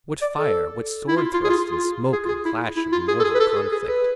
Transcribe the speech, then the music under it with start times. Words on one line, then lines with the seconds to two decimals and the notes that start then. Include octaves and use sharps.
What fire, what sword thrusts and smoke and clash of mortal conflict!
0.22 D5
0.38 A4
1.08 E4
1.17 F4
1.33 F4
1.44 G#4
1.49 F4
1.71 F4
2.13 G#4
2.25 F4
2.28 G#4
2.45 E4
2.76 E4
2.92 F4
3.08 G#4
3.20 A4
3.24 G#4
3.34 B4
3.40 A4
3.56 G#4
3.72 G#4
3.88 B4